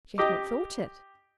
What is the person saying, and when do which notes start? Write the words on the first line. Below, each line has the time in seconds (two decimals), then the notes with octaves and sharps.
She had not thought it.
0.18 G4 D#5 D6